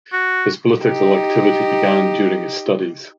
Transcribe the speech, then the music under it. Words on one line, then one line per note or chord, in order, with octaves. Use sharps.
His political activity began during his studies.
F#4
D#4 G4